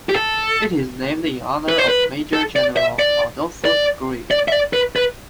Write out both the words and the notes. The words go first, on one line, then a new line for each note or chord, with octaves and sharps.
It is named in honor of Major General Adolphus Greely.
G4
A4
B4
C5
B4
A4
D5
E5
D5
D5
D5
E5
D5
B4
B4